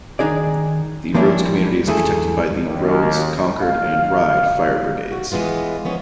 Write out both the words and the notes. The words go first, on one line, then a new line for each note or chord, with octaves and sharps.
The Rhodes community is protected by the Rhodes, Concord and Ryde Fire Brigades.
D#3 D4 D#4 G#4 D5
F3 A#3 C#4 D4 E4 G4
E2 A3 E4 G#4 A4
D#2
F5
F#4
E3 G#3 B3 F4
F3 B3 C#4 G#4